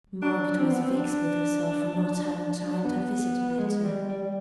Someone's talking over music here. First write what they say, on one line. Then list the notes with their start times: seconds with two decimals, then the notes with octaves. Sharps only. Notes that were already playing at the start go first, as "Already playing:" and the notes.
Margaret was vexed with herself for not having timed her visit better.
0.22 D4
0.59 C4
0.70 B3
0.82 C4
0.96 D4
2.84 B3
3.58 G#3
3.84 G3
4.09 G3
4.22 G3